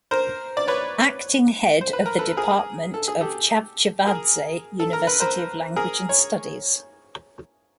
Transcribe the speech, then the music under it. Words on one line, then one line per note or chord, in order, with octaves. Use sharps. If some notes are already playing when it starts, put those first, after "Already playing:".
Acting Head of the Department of Chavchavadze University of Language and Studies.
A#4 C5
D5
B4 C#5
C5
B4
A#4
A4 B4
G#4 A#4
A4
G#4
G4 A4
G#4 A#4
A4
A#4
B4
A#4 C5
G#4 A#4
C#5